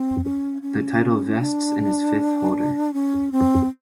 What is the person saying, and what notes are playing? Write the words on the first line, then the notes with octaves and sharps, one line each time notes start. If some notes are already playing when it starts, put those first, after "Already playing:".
The title vests in its fifth holder.
Already playing: C4
C#4
C#4
D4
C#4
C4